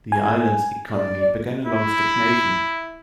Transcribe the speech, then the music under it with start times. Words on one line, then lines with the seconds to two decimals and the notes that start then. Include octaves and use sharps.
The island's economy began a long stagnantion.
0.12 G#5
0.94 D5
1.66 E4